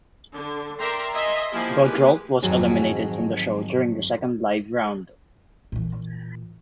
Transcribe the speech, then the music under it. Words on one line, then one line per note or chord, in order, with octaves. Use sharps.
Gaudreault was eliminated from the show during the second live round.
D3
A#4 D5 E5 G5 A#5 C6
D#5 E5 G#5 A#5 C6
F3 A#3 E4 F4 G4 G#5
G#3 A#3 G4 B4
F2 G#2 D#3 F#3 F#4 G#4
A#2 E3